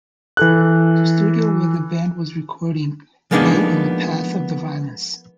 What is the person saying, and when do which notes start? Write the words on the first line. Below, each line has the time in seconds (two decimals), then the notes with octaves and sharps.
The studio where the band was recording lay in the path of the violence.
0.37 E3 A4 F#6
3.31 F3 G#3 A#3 B3 D4 D#4